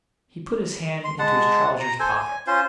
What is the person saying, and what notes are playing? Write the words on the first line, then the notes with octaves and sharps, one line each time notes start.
He put his hand into his trousers' pocket.
C6
G#3 F#5 A5
A#5
A4 C5 G#5
G#5
C#4 F4 C5 C6